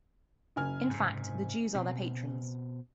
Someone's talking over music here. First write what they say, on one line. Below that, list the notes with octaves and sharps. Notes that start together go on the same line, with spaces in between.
In fact, the Jews are their patrons.
F#1 G#5 F6
G#2 C3
B2 C4